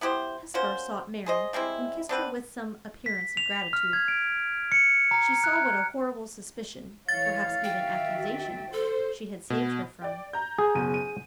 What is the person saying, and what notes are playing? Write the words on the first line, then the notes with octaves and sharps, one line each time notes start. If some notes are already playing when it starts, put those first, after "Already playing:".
Hesper sought Mary, and kissed her with some appearance of gratitude. She saw what a horrible suspicion, perhaps even accusation, she had saved her from.
B3 E4 G4 C5
A#3 C#4 F#4 C5
G#4 C5 D#5
G3 G#3 C4 E4
D3 C4 B4
B6
F7
F6
G#6
D7
C#7
A#5
F#6
E3 A3 C#5 F5 A6
D#3 F#4 E5 G5
A4 C5
B2
D5 G5
A#5 G6
G#4
F#1 B2 D#7
D#7